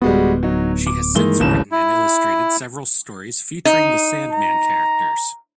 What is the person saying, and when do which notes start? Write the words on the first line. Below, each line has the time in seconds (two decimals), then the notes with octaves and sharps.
She has since written and illustrated several stories featuring the Sandman characters.
0.02 D1 G3 G#3 B3 F#4
0.43 F#3 D#4
0.86 D6
1.15 G2 D#3 E3 G#3 A#3 G7
1.40 D1 G#1 C#3 E3 E7
1.72 E4
3.65 D#4
4.32 A#5